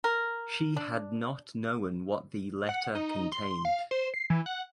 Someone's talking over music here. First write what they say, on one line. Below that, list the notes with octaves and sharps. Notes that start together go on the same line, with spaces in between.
She had not known what the letter contained.
A#4
D4
F#5
D#4
C6
F5
C5
C7
E3
F#5